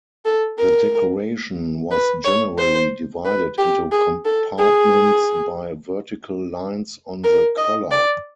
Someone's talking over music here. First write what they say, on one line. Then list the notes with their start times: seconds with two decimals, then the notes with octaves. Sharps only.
The decoration was generally divided into compartments by vertical lines on the collar.
0.25 A4
0.59 A#4
1.91 B4
2.25 C#5
2.58 C5
3.25 B4
3.58 G4
3.92 G#4
4.25 A4
4.58 G#4
7.25 A#4
7.58 D#5
7.91 D5